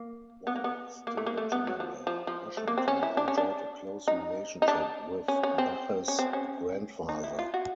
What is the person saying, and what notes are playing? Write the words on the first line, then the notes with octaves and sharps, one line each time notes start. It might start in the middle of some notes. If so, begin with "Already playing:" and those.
While still a general, Washington enjoyed a close relationship with Bache's grandfather.
Already playing: A#3
B3
A#3
B3
A#3
A3
A#3
A3
B3
F#3
F3
F3
F3
A3
A#3
C4
C#4
E4
D4
C#4
D4
D#4
D#4
D4
C#4
C#4
C4
C#4
C4
C#4
D#4
E4
F4
F#4